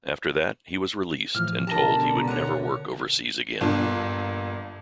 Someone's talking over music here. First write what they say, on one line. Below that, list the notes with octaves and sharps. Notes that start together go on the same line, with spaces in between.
After that, he was released and told he would never work overseas again.
A2 E3 F3 F6
B2 D3 G4 A#4 A5 A#5
C#5 F#5
G1 A#2 D4